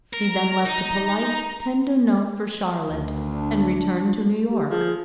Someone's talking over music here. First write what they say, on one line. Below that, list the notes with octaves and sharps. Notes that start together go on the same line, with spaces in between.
He then left a polite, tender note for Charlotte, and returned to New-York.
A#4
A#5
D#4
D2
D4
G4
F3 G#4